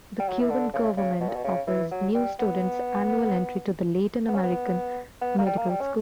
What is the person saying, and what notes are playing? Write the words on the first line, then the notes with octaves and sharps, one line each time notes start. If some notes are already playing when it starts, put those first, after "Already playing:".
The Cuban government offers new students annual entry to the Latin American Medical School.
G3
F#3
E3
D3
C#3
C#3
B2
A#2
B2
C#3
E3
F#3
G3
B3
B3
C#4
B3
B3
A#3
G3
A#3
G3
C#4